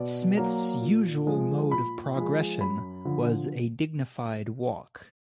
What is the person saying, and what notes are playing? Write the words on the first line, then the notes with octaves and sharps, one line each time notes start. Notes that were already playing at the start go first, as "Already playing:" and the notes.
Smith's usual mode of progression was a dignified walk.
Already playing: B2 D5
F#3 A#3
A#2
F3 G#3
A#2 B5
F3 G#3
F#2 B5
D3 F3